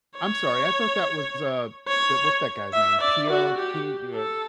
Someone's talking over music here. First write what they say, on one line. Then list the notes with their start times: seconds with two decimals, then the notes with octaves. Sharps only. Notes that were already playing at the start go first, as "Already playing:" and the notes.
I'm sorry, I thought that was, uh the what's that guy's name? Peele Key? You,
0.17 C#5
1.88 C#5
2.73 E5
3.01 D5
3.30 F#4
3.57 G4
4.15 A4